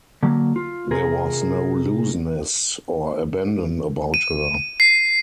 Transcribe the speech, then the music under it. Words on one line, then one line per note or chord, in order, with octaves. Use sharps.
There was no looseness or abandon about her.
D3 F#3 A#3
F4
C3 F4 G#4 A#4
D#7
C7